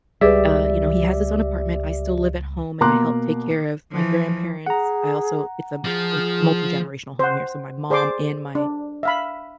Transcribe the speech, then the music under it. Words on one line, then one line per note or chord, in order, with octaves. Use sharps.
uh, you know, he has his own apartment. I still live at home, and I help take care of my grandparents. I also it's a m multigenerational home here, so my mom and my
C#2 G3 G4 G#4 B4 D5 E5
B2 A#3 A#5 C6 D6 F#6
E3 F3
G#4 F#5 A#5
F3 G#4
C5 F#5
G#4 C5 D5 C6 D6
D4
E5 F5 B5